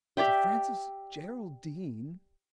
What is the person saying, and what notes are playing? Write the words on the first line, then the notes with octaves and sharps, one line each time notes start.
"Sir Francis Geraldine!"
G4 D5 E5 G5